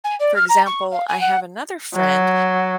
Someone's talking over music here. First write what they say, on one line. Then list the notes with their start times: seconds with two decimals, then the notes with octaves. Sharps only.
For example, I have another friend
0.04 G#5
0.19 D5
0.36 F6
0.49 A#5
0.66 C#6
0.91 F5
1.08 G#5
1.20 F#5
1.94 F#3